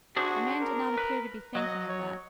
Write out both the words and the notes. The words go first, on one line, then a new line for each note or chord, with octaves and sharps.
The man did not appear to be thinking of that.
D4 F#4 G#4 C5
A#4
B4
F#3 D#5
C#5